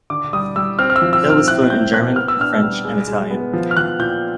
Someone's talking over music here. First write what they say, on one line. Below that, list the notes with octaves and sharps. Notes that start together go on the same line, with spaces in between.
Hill was fluent in German, French, and Italian.
D3 D6
G3 D#6
G3 E6
C4 F6
F6
E6
F3
E6
C4 F6
A2 F#6
A2 G6
A#3 F#6
B3 F6
E6
D4 F6
G3
G#3
G#3
B3
F3
F6
F3 F#6
A#2 G6